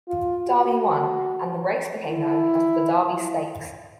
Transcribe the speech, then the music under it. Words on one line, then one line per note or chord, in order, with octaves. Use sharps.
Derby won, and the race became known as the Derby Stakes.
F4
F#4
E4